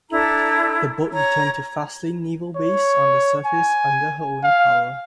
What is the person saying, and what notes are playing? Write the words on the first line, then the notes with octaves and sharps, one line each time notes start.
The boat returned to Faslane naval base on the surface under her own power.
D4 E4 A4 A#5
C#5 A#5
C#5
G#5
F5